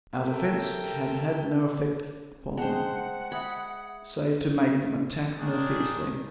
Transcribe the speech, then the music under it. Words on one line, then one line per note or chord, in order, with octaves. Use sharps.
Our defence had had no effect upon them, save to make them attack more fiercely.
G4 A4 A#4 E5 G5
G#3 C5 F#5 G5 A5
E5 B5 D#6 G#6
D#3 D4 G#4